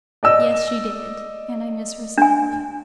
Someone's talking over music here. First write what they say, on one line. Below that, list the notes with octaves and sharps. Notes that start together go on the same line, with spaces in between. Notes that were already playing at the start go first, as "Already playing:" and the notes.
'Yes, she did; and I miss her sadly.
D5 D#5 E6
D4 G#5